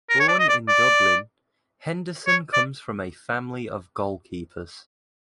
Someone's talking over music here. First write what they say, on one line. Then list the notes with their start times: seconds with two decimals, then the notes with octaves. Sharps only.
Born in Dublin, Henderson comes from a family of goalkeepers.
0.10 A#4
0.20 C#5
0.28 D5
0.39 D#5
0.49 D5
0.68 D5
2.27 C#5
2.53 D5